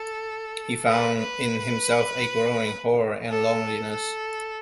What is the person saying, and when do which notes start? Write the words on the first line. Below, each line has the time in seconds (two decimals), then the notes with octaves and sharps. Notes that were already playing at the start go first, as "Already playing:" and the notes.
He found in himself a growing horror and loneliness.
Already playing: A4
0.89 B4
1.20 B4
3.30 A4
3.91 A4